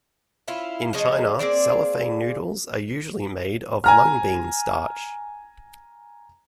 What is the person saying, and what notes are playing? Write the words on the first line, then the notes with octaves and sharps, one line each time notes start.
In China, cellophane noodles are usually made of mung bean starch.
C#4 E4 F4
F3 G#3 C#4 D#5
A#3 C4 G#4 D5
G#5 A#5 F6